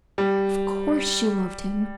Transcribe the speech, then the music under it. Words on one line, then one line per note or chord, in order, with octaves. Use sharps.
Of course she loved him!
G3